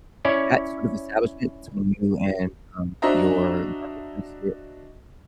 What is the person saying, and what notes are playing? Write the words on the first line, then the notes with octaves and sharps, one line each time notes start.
that sort of establishment between you and, um, your garbage associate,
C#4 E4 C#5 D5
D4 F#4 C5 D#5 E5 A#5